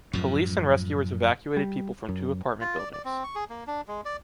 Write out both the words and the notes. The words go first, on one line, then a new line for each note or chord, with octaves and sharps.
Police and rescuers evacuated people from two apartment buildings.
F#2 A2 F3
G3
F#2
F4
D5
D5
C4
C#6
G#4
A#3
D4
G#3
D5